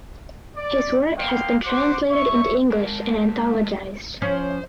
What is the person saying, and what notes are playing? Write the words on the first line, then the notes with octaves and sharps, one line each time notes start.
His work has been translated into English and anthologized.
D5
A#3 B3 F5 G5 C6
F#4 C5 F#5 D6
C#5 E5 C#6
G#3 A#4
F3 C#4 C5